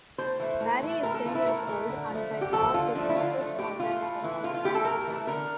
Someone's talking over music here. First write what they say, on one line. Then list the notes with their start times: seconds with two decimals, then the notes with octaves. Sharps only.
Barry is ten years old and by far the smartest organism on the planet.
0.18 A2 C5
0.40 E3 A3
0.61 A2
0.83 E3
0.88 A3
1.03 A2 A#4
1.14 A4
1.25 E3 A3 F4
1.35 E4
1.46 A2 A#4
1.67 E3 A3
1.89 D3
2.10 F3 A3
2.31 D3
2.41 G4
2.52 F3 A3 A4
2.74 D3 F4
2.95 F3 A3 D4
3.09 E4
3.15 D3 F4
3.38 F3 A3
3.58 A2 G4
3.80 E3 A3 F4
4.01 A2
4.22 E3 A3
4.43 A2 F4
4.54 F4
4.64 E3 A3 G4
4.74 A4
4.85 A2 A#4
5.07 E3 A3
5.27 D3 A#4